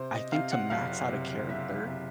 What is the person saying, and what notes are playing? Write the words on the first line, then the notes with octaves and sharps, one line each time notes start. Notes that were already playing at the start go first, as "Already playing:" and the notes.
I think to max out a character,
Already playing: C3 C5
D#5
C3 F5
F#5
F#1 F5
C3
F#1 E5
C3